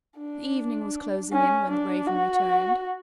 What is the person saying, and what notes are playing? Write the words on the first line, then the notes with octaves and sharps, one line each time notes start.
The evening was closing in when the Raven returned.
D4
C#4
D4
F#4